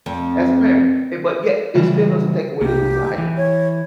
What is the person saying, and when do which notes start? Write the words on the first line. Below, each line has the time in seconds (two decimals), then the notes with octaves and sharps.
as a parent, eh, but yet it still doesn't take away the desire,
0.06 F2
1.75 C#3 E3 G3
2.61 C2 A#3 G4
3.18 E3
3.37 C#5